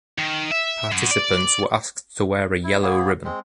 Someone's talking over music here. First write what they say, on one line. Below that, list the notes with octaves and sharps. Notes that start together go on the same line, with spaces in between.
Participants were asked to wear a yellow ribbon.
D#3
E5
F#2
D5
E4
A#3 B3 G#4
G#3 C4